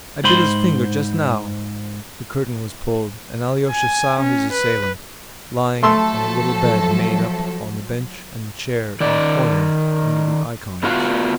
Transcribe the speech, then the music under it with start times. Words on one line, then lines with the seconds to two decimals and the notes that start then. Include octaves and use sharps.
"I bit his finger just now." The curtain was pulled, and Alyosha saw his assailant lying on a little bed made up on the bench and the chair in the corner under the ikons.
0.24 G#2 C5 B5 C6
3.71 G#5
4.20 C#4
4.52 B4
5.83 F3 F#3 A3 A4 C6 E6
9.00 D#3 D5
10.83 A3 B3 F4 F#4